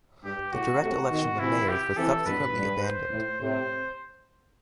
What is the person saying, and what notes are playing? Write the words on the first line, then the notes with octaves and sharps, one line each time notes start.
The direct election of mayors was subsequently abandoned.
G2 G4
A2 F#4
A2 C3 F#4
B2 D#3
C3 E3 E4
G4
C3 E3 A4
G2 B2 B4
G2
C5
A2
A2 C3 C5